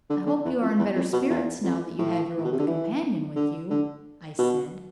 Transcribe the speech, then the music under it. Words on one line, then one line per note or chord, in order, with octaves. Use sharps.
"I hope you are in better spirits, now that you have your old companion with you," I said.
D3
D3
E2
F2
E2
F2
B2
E2
F2
A2
A2
B2
C3
D3
E3
D3
D3
B2